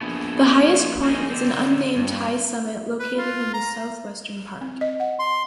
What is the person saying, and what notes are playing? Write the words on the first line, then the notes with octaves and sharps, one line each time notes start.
The highest point is an unnamed high summit located in the southwestern part.
A#1 A3 B3 G#4
B4 C#5
C4 D#4 G#4
D3 C4
F#1 G2
B4
F4
A#5
C4
D#5
F#5
C6